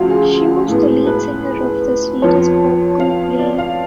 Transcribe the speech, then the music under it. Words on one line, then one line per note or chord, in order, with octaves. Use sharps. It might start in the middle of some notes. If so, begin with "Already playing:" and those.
She was the lead singer of the Swedish pop group Play.
Already playing: D2 C#3 F3 F#4 F5
G#4
A2 G#3 B3
B4
F2 F3 B3 C#5
F5
D5
F5